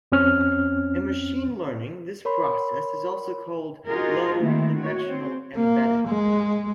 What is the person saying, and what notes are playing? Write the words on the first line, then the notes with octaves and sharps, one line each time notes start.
In machine learning this process is also called low-dimensional embedding.
F2 C4 C#4 F6
A#4 C#5 B5 C6
D#4 F4 F#4 G#4 A#4
D#3 A3 A#3 C4 E4
F#4 C#5
C4
A#3
G#3